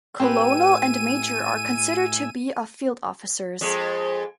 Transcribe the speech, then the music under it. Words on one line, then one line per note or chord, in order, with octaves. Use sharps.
Colonel and Major are considered to be of Field Officers.
A2 C4 G4 B4 G#5 E6 D#7
F2 G#3